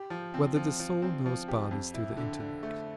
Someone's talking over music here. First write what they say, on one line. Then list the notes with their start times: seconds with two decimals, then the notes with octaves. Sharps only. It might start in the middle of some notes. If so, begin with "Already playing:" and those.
Whether the Soul Knows Bodies Through the Intellect?
Already playing: G4
0.10 F3
0.34 C4
0.56 F3
0.79 F3
1.02 C4
1.26 F3
1.48 G4
1.71 F2
1.94 E4
2.17 D3
2.40 D3
2.63 A3